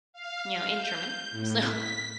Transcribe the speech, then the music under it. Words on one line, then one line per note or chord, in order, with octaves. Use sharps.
you know, in German. So,
F5
G6
A2
B6